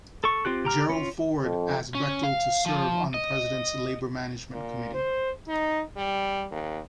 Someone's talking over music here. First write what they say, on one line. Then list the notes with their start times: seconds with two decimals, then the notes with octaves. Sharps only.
Gerald Ford asked Bechtel to serve on the President's Labor-Management Committee.
0.24 A4 C#6
0.45 C4 F4 G4 F#6
0.65 G4 A#5 F6
0.90 C#4 F4
1.43 F2
1.95 C#4
2.23 F5
2.66 F3
3.14 D#5
4.52 A#2
4.94 C5
5.48 D#4
5.96 G3
6.51 D#2